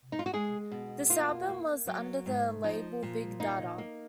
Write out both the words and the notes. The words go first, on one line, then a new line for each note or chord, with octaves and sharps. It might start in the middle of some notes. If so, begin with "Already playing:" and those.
This album was under the label Big Dada.
D#4
F4
F#4
G#3 G#4
B2
A#3 F4
A#3
F#3
G#2
F3 D#4
A#2
A#3 D#4
A#3